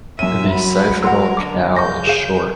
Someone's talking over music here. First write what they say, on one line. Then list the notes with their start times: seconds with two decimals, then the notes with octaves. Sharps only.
The siphonal canal is short.
0.19 F#2 C#4 E5 D#7
0.50 F#3 B5
1.03 A#4 F#5 C6 E6
1.37 D3 D6
1.76 C#3 C#6 D6 G6 A#6
2.07 G#4 F5